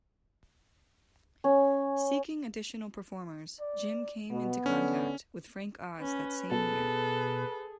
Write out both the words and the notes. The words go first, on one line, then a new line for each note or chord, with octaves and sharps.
Seeking additional performers, Jim came into contact with Frank Oz that same year.
C#4
D5
B2 B3
D3 C#4
C#4 B4
B2 G#4 A4